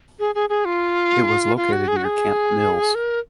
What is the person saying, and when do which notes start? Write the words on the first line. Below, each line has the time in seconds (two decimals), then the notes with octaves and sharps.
It was located near Camp Mills.
0.19 G#4
0.35 G#4
0.49 G#4
0.65 F4
1.57 F4
1.72 F#4
1.88 G#4
1.96 F#4
2.05 G#4
2.95 A#4